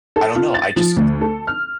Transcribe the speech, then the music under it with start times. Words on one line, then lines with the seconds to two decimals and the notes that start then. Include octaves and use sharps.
I don't know, I just
0.16 A4
0.35 F4
0.54 A6
0.76 F3
0.96 D2
1.21 A4
1.47 F6